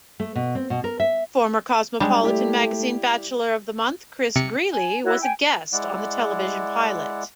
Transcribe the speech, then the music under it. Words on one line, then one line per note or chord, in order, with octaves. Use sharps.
Former Cosmopolitan Magazine Bachelor-of-the-Month Chris Greeley was a guest on the television pilot.
A3
B2
C4
B2
A#4
E5
G3 G#3 D4
A3 E4 G4 D5
C3 C#7
G#5
E4 F#4 C#5
G5 G#5
G#3 E4 D5 F#5